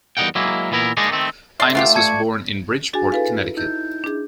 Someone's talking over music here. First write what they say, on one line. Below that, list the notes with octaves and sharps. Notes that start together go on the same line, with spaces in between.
Eimas was born in Bridgeport, Connecticut.
E2 G3 D#4 A#4 F#5 G5
F#3 G#3 A#3 E4
A#2 E3 B3 E4 A#4
G#3 A#3 D4 D#4 A#4
D#3 A3 C4
A4 D5 E5 C6
A3 B3 F4 G4 E5
D5 A5 C#6 G#6 C#7
D4 F#4 G#4 G#5 A6
E4 F4 A4 B4 F5
D#4 E4 G6
D4 G#4